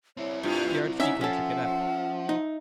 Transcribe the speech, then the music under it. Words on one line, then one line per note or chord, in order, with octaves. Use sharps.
The Archdeacon took it up.
C4 E4 C#5
G2 F4
C#4 D#4 E5 F#5
F3 C#4 A4 F#5
D#4